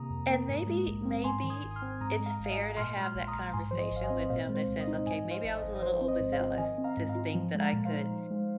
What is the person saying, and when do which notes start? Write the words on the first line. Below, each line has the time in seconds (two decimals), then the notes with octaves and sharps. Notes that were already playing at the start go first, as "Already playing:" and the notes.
And maybe maybe it's fair to have that conversation with him that says, "Okay, maybe I was a little overzealous to think that I could
Already playing: C3 D#3 A#3 A#5 D#6
0.10 F2
0.29 A#3
0.49 G#2
0.67 G#3
0.86 A#1
1.05 C4
1.24 G#2 G#5 C6
1.44 D#3
1.50 D#6 G#6
1.63 G#1
1.71 D#6
1.76 C6 F6
1.82 C4
2.01 G#2 A#5 D#6
2.19 G#3
2.26 F5 A#5
2.40 G#1
2.45 F5
2.51 D#5 G#5
2.58 F4
2.77 A#2 C6 F6
2.97 G#3
3.03 C6 F6
3.15 A#1
3.27 A#5 D#6
3.34 A#1
3.53 G#2 G#5 C6
3.71 F3 C5
3.78 D#5
3.92 G#1 F5
4.04 D#5 G#5
4.10 C4
4.25 D#5
4.30 A#2 C5 F5
4.49 G#3
4.55 C5
4.67 C2
4.80 D#5
4.87 D#4
5.06 G#2 D#5 G#5
5.25 F3
5.31 C5 F5
5.44 G#1
5.57 D#5
5.64 G#1
5.76 D#5
5.82 F3 C5
6.01 C4
6.08 D#5
6.20 G#2
6.33 C5 F5
6.40 F4
6.58 D#3 D#5 G#5
6.78 C4
6.84 F5 A#5
6.97 G#2
7.09 F5 A#5
7.15 F4
7.35 F3
7.55 G#3
7.60 F5 A#5
7.73 A#2
7.85 C5 F5
7.92 D#4
8.12 F3
8.31 G#3